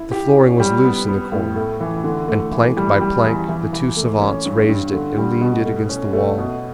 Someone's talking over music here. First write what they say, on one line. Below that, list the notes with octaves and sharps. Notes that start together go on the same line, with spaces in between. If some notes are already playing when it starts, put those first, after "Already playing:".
The flooring was loose in the corner, and plank by plank the two savants raised it and leaned it against the wall.
Already playing: E4
G4
C#4
G3
B3
B3
A2
A3
E3
D3
A3
E3
G3
G3
E2
E3
E3
A3
C#4
G2
G2
D3
G3
B2
A3
C#4
A3
B2